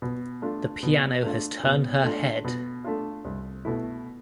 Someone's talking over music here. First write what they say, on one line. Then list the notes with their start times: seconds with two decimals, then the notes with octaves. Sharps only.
The piano has turned her head!
0.02 B2
0.42 A3 D4 F4
0.83 B2
1.23 A3 D4 F4
1.63 B2
2.03 A3 D4 F4
2.44 B2
2.84 A3 D4 F4
3.25 C2
3.65 B2 A3 E4